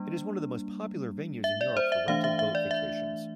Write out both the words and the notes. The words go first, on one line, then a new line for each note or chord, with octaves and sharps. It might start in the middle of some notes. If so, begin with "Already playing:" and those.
It is one of the most popular venues in Europe for rental boat vacations.
Already playing: G3 A#3 D4
E5
D5
C5
E5
E3 A3 D4 F5
E5
E5
D5
E5